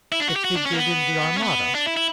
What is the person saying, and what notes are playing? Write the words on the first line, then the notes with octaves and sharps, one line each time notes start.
It figured in the Armada.
E4
D4
F#4
G4
F#4
D4
C#4
A#3
B3
C#4
B3
D4
E4
E4